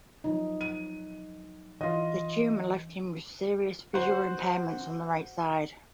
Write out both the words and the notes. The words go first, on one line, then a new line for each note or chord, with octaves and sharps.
The tumor left him with serious visual impairments on the right side.
F3 F#3 D#4
D#7
E3 F4 D#5
F#4 C5